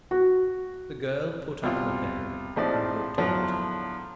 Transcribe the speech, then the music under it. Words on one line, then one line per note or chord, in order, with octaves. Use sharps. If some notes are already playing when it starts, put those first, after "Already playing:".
The girl put up her veil, and looked about her.
F#4
C2 B2 F4
A#1 A2 F3 C4 D#4 D5
E2 A2 D3 F3 F#3